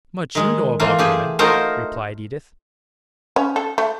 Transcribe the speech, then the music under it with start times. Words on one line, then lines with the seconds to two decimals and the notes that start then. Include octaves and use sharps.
"Much you know about women," replied Edith.
0.35 D#3 G#3
0.80 E3 A3 A#3 F4
0.99 A3 G4 G#4
1.39 A3 D#4 F4 F#4 A#4 C5
3.36 C#4
3.56 A4
3.78 A3